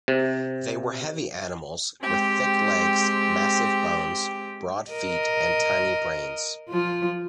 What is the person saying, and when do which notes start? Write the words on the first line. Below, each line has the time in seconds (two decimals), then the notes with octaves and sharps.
They were heavy animals, with thick legs, massive bones, broad feet, and tiny brains.
0.08 C3
2.02 G#3 C4 G4
4.91 A#4 D#5
6.69 F3 F4